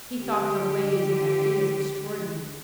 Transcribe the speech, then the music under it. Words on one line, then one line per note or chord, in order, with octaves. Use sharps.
He thought her ways and ideas extraordinary.
D3 G4